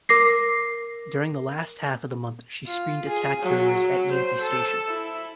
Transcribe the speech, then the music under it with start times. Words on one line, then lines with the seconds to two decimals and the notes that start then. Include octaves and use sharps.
During the last half of the month she screened attack carriers at Yankee Station.
0.09 A#4 D6 A#6 C7
2.67 F4
3.08 G#4
3.43 F#3
4.12 C5
4.42 A4
4.88 E4